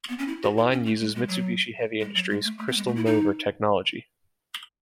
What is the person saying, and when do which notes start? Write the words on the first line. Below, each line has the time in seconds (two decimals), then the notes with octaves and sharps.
The line uses Mitsubishi Heavy Industries "Crystal Mover" technology.
0.09 B3
0.19 C#4
0.28 E4
0.42 F#4
0.57 E4
0.71 C#4
0.86 A3
1.00 G#3
1.15 G#3
1.29 F#3
2.00 G#3
2.15 F#3
2.29 G#3
2.44 A3
2.58 A3
2.68 B3
2.77 G#3
2.87 A3
2.96 E4
3.06 D#4